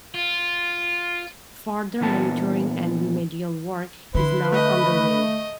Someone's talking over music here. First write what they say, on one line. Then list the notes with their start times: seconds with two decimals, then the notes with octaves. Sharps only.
Further monitoring and remedial work is now under way.
0.15 F4
2.01 A#2 E3 B3 A5
4.15 D3 E4 B4 C6
4.52 A3 D#5